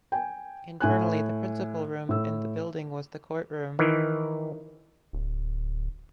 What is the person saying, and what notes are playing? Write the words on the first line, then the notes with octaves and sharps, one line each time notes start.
Internally the principal room in the building was the courtroom.
G5 G#5
A2 G#5 F#6
A2 E6
D#3 E3
D1